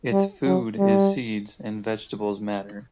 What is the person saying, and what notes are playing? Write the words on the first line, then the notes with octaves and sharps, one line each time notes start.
Its food is seeds and vegetable matter.
G3
F#3
G3